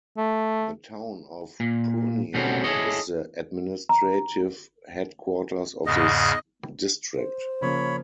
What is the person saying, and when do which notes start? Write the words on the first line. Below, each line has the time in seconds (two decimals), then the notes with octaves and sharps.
The town of Purnia is the administrative headquarters of this district.
0.17 A3
1.60 A#2
2.34 B2 G3 A3 C4 C#4 F#4
2.64 E4 G#4 A4 C#5 D#5
3.89 A#5
5.86 E2 G#2 C#3 D#5
7.16 C5
7.62 C#3 F3 A#3 C#5 B5